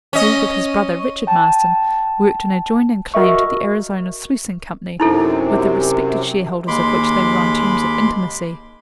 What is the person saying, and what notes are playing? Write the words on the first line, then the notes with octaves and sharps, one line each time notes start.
He, with his brother, Richard Marston, worked an adjoining claim to the Arizona Sluicing Company, with the respected shareholders of which they were on terms of intimacy.
C#4 D#5
G5 A5
F#4 A#4 D#5 E5 C#6
F#2 C3 D#4 E4 A4
D#2 G#3 B5 C6 D6